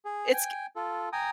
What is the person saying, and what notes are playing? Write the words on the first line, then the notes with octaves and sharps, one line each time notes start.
it's g
G#4
G5 G#5
F4 A4
G5 G#5 A#5 D#6